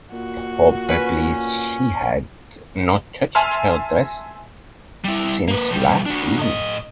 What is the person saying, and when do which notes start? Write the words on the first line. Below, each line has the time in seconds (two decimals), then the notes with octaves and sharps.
Probably she had not touched her dress since last evening.
0.13 A#2 F#4
0.89 C#4 B4
3.35 E5 G#5 A5 C6 F6
5.05 G3 E4
5.48 A#3 B4
5.70 B1 G3
6.06 D4 F#4
6.37 A2 D#5